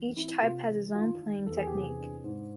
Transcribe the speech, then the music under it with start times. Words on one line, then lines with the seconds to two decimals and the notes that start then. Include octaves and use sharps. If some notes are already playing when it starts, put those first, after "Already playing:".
Each type has its own playing technique.
Already playing: E3
0.16 C4 E4
0.42 C3 F4
0.69 E3
0.94 D#3 F4
1.21 D#3
1.46 E2 A4
1.57 G#4
1.67 G4
1.72 C3 G#4
1.98 D4
2.24 G#2